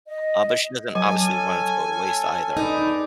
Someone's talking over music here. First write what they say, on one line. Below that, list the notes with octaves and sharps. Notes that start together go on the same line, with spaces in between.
Uh, but she doesn't obviously want it to go to waste either, you know?
D#5
F#3 C#4 A4 G#5
D#4 G#4 B4 D5